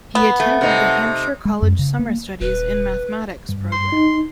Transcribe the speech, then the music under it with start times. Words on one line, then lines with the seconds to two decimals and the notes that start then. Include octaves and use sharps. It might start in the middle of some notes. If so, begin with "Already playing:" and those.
He attended the Hampshire College Summer Studies in Mathematics program.
0.15 B3
0.40 A3
0.61 C3 D#4
1.45 G#3
1.62 F#2
1.79 C#3
1.99 A#3
2.41 D#1 B4
3.49 G2
3.72 C6
3.92 D#4